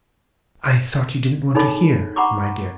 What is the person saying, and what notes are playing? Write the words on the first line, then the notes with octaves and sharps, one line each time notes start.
'I thought you didn't want to hear, my dear.
D4 D#4 G#4 A4 C#5 B5
F#5 A#5 B5 C#6 D6